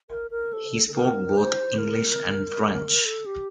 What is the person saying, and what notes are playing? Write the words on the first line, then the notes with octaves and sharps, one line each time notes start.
He spoke both English and French.
A#4
A#4
A4
A4
A#4
C5
A#4
A4
G4